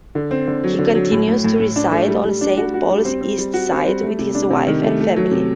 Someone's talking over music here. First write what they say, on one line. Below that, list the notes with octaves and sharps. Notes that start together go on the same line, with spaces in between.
He continues to reside on Saint Paul's East Side with his wife and family.
D3
C4
D3
F#3
D3
F#3
A2
A2
A2
A2
D4
A3
G3
G3
D4
F#4
F#4
G3
C4
C4
G3
F#4
C4
G3
A3
C3
D4
C3
D#3
A3
A3
F#3
C3